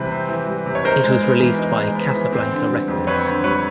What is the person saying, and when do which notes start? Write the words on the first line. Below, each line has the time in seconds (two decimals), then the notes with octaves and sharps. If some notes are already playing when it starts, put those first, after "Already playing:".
It was released by Casablanca Records.
Already playing: C3 E3 G3 C4 B4
0.11 C4
0.29 E3
0.47 G3
0.66 C3
0.75 C#5
0.85 D#4 A#4 C5
1.03 G#3
1.22 B3
1.40 E3
1.59 D#4
1.77 G#3
1.95 B3
2.14 E3
2.32 C4
2.51 D3
2.69 G3
2.88 F2
3.07 C4 B4 C#5
3.26 D3
3.44 G3 B4 C#5